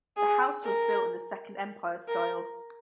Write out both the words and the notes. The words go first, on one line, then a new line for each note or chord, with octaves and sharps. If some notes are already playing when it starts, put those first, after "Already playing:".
The house was built in the Second Empire style.
G#4
A#4
A#4